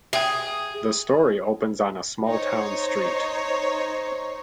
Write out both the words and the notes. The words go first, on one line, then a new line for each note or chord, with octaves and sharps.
The story opens on a small-town street.
G#4 E5 G5
D#4 C5 C#5